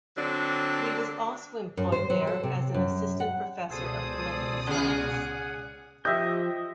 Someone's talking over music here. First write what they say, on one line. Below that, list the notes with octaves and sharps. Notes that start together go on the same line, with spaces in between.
He was also employed there as an assistant professor of political science.
D3 F#3 C4 D4
F#2
C5
F#3
A4
C3
F#2
F#5
C#2 B2 G#4 A4 C5 D5 D#6
C#3 G#4 F#5 G#5
F3 G4 D#5 E5 G6